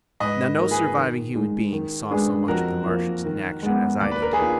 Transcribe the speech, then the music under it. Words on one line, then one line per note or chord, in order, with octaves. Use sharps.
Now no surviving human being saw so much of the Martians in action as I did.
G#2 B4 D#5
D#3 A#3 F4 A#4
G#4 B4
D#3
G#3 D#4 G#4
D#3
G#3 D4 G#4 B4
F2 F#4 A#4
F3 A#3
D#3
G#3 B3
D#2 D5
B4
A#4
G#4 B4
D#3 A#3 F4